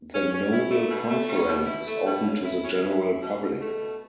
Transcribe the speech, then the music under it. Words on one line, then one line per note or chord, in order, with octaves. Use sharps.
The Noble conference is open to the general public.
C#4
C#4
E4
A3
B2
A3
C#4
B2
E4
A3
B2
C#4
E4
C#4
E4
E4
B2
B2
A3
B2